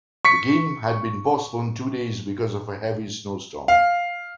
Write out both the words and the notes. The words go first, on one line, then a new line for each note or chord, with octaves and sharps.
The game had been postponed two days because of a heavy snowstorm.
C#6 B6 C#7
F5